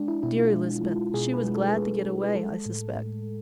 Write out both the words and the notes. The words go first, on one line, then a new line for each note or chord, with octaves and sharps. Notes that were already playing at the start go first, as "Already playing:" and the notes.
Dear Elizabeth, she was glad to get away, I suspect!
Already playing: G#3 D4
E4
B2 E4
F4
G#3
G#3
B2 G#4
B4
G#3
A4
G#3 G#4
G#3
B4
G#3 A4
A2
A2